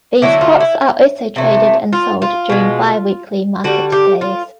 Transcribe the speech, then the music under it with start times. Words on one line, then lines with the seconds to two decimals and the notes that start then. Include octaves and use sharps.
These crops are also traded and sold during bi-weekly market days.
0.22 D3 F#3 A3 E4
0.41 F4
0.60 E4
1.36 C3 E3 A3
1.93 F4
2.22 F4
2.49 B2 G#3
3.64 D3 G3 F#4
3.92 G4
4.21 F4